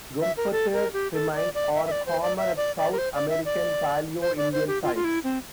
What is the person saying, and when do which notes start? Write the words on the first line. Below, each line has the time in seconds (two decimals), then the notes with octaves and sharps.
Gomphothere remains are common at South American Paleo-indian sites.
0.21 E5
0.37 A#4
0.52 A4
0.74 A#4
0.93 G4
1.14 A4
1.35 D5
1.55 D5
1.75 E5
1.86 E5
1.92 D5
2.06 C5
2.22 D5
2.38 E5
2.57 D5
2.78 D5
2.92 A#4
2.98 C5
3.15 D5
3.29 E5
3.45 D5
4.21 C5
4.37 D5
4.53 C5
4.68 G4
4.83 F4
4.95 F4
5.04 E4
5.24 C4